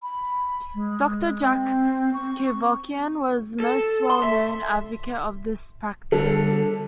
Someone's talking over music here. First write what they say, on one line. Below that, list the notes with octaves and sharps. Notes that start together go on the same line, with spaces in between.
Doctor Jack Kevorkian was the most well-known advocate of this practice.
B5
G#3
C4
C#6
A4
C6
E5
D3 G3 A4